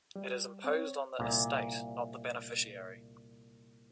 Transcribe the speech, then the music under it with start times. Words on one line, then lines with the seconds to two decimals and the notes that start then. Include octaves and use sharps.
It is imposed on the estate, not the beneficiary.
0.16 G3
0.64 C4 C#5
1.19 C2 A#2